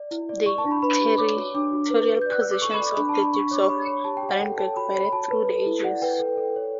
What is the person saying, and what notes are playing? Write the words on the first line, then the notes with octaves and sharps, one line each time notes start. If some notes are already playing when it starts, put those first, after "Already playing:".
The territorial possessions of the dukes of Arenberg varied through the ages.
Already playing: D5
E4
D5
D5 C#6
A5
D4
B5
B4 B5
G4
C#5 D6
F#4
D4 D6
F#4
B4
B4
D5 G6
F#6
D5 E6
D6
A4 C#6
B5
D5
D6
D4 B5
A5
D5
B5
D4 C#6
C#5 D6
C#6
G4 B5
C#5
G4 A5
G5
G4
F#5
A4 G5
C#5 A5
F#4 B5
C#5
B5
F#4 A5
B4
A4
E4
D5 F#5
B4 G5
A4
A4
C#5